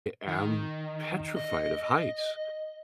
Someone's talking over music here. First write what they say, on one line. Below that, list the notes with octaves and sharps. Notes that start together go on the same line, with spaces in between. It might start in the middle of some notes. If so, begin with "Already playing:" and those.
I am petrified of heights.
D#3
D#5